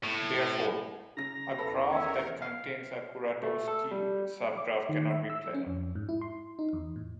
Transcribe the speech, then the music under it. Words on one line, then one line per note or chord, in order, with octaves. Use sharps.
Therefore, a graph that contains a Kuratowski subgraph cannot be planar.
A2
C#3 A#5 A#6
E2 A4 B4 B5
A3 C#4 A#4 E5
F5
A3
A4
G3
D6
D#3
E5
E6
C#4
F2
G#2
E4
C6
D#4
E2
A2